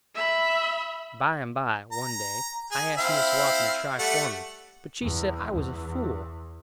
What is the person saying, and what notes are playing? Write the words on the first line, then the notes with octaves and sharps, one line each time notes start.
By and by, one day, I asked Miss Watson to try for me, but she said I was a fool.
E5 B5
A#5
G#4
C4 E4 F5
G3 A3 F#5
E2
E2